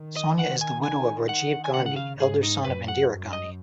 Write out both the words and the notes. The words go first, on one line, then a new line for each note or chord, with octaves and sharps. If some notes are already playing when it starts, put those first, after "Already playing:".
Sonia is the widow of Rajiv Gandhi, elder son of Indira Gandhi.
Already playing: D#3
D#5
F#5
G#5
G#5
F#5
G#5
C#3 F#5
F#5
F5
G#2 G#4
D#4
F#2 B4
F#5
F#2
D#5